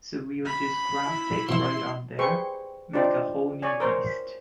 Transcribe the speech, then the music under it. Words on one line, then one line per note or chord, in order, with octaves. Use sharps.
So we'll just graft it right on there, make a whole new beast.
B5
E4
B2 E3 C6
G4 G#4 B4 C5 C6 C#6
D4 D#4 F4 G4 C5 D5
C#5 D5 G#5
A#4 C5 C#5